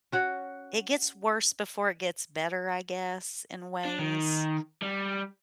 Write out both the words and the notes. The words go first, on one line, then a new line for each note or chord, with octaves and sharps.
It gets worse before it gets better, I guess, in ways.
C#4 F#4 C#5 F#5
D4
D#3
G3